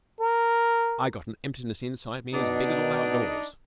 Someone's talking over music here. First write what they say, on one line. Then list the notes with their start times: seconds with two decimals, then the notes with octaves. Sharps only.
I got an emptiness inside me as big as all outdoors.
0.21 A#4
2.33 B2 D4 D#4